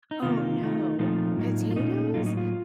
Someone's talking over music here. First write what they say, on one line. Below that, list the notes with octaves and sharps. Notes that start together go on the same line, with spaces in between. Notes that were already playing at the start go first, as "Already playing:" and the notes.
Oh no, potatoes?
D#4
C3 D#3 A#3 F4
D#3 A3 D#4
A#2 F3 A3 C4 D#4 F4
A2 F#3 A#3 D#4
F4
A#2 A3 C#4 D#4
A2 F#3 A#3 D#4 F4
D#4
F4